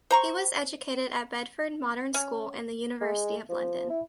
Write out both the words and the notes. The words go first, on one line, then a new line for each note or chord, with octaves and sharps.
He was educated at Bedford Modern School and the University of London.
C5 A#5 C#6
C#4
G#3
F3
E4